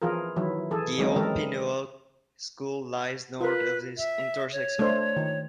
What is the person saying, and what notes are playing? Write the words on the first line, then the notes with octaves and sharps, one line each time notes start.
The old Pinoak School lies north of this intersection.
E3 F3 F4 G#4 A#4
D#3 E3 F#3 E4
E3 G#4 A4
D#3 F#3 G#3 C4 C#4 D#4
D3 E3 G#3 G4 A4 A#4
F4 A#4 B4
E5
C#5
A3 D4 C5
D#3